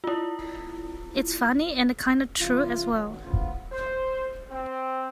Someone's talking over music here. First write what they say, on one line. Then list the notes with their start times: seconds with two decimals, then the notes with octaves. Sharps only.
It's funny, and kinda true as well!
0.04 E4 F4
2.39 C#3 F3 E4 F4
2.92 D#3 F#3
3.22 A2 C#3 F3 B3 F4
3.71 C5
4.50 C4